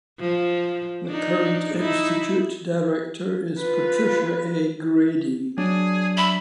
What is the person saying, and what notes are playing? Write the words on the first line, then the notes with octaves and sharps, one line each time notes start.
The current Institute Director is Patricia A. Grady.
F3
D4 D#4
D#4 E4
F4 B4
F#3 D4 G#4
E5 B5